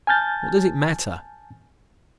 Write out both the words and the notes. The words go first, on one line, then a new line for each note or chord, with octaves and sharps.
What does it matter?
G#5 A5 F6 G6 A6